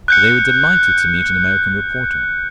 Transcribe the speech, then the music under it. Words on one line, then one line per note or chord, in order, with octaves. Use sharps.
They were delighted to meet an American reporter.
F#6 G6 C#7